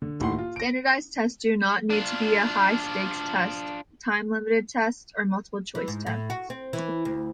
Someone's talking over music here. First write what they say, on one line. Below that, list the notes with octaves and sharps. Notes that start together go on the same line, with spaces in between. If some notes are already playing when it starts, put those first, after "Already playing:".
Standardized tests do not need to be high-stakes tests, time-limited tests, or multiple-choice tests.
D3
D#1 A2 D#3 F#5 C6
F4
A#6 D7
D4 F4
E3
G#2
A2
F#4
C4
E3
D2